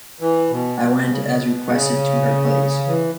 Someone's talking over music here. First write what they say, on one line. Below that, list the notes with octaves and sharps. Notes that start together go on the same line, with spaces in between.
I went as requested to her place.
E3
B2
B2
B2
C#3
B2
C#3
E3